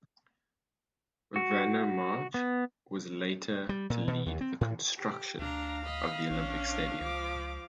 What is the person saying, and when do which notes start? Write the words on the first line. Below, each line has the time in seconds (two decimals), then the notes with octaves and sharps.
Werner March was later to lead the construction of the Olympic Stadium.
1.36 F#4
2.34 B3
3.69 G3
3.90 A#2
4.08 B2
4.26 D#2
4.41 C4
4.61 A2
4.97 G4
5.39 D2 D4 F5 A#5
5.86 D#5 B5
6.30 A#1 C#4 D4
7.01 C#2 F3 D6